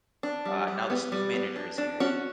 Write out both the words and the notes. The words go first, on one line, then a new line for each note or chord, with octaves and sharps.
uh, now this new manager is here,
D4
G3
G3
B3
G3
B3
D4
D4
C#4 F#4